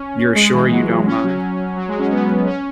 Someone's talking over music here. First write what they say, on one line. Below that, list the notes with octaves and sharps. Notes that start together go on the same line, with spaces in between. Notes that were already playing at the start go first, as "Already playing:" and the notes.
You're sure you don't mind?
Already playing: C#4
G#3
E3
F#3
C#4
F#3
F#3
G#3
C#4
B3
C#4